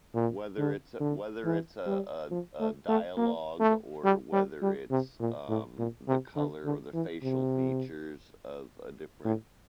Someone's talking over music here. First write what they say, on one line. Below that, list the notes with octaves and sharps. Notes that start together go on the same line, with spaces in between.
Whether it's a whether it's a a a dialogue or whether it's, um, the color or the facial features of a different
A#2
D3
D3
E3
G3
F3
A3
A3
A#3
A3
G3
G3
G3
C3
A#2
A2
A#2
C3
D3
D3
E3
C3
A2